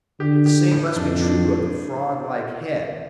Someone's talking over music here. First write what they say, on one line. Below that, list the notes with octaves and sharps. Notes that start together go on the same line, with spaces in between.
The same must be true of the froglike head.
D3 G4
G4
A2
F2 D4
D4